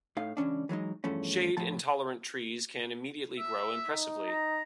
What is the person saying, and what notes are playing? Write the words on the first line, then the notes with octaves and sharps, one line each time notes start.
Shade intolerant trees can immediately grow impressively.
A2 D#4 F5
C#2 E3 C#4 D4
E3 F#3 G#3 D#4
E2 G2 F3 A3 C#4
A2 F3 A5
E5
D#4
A#5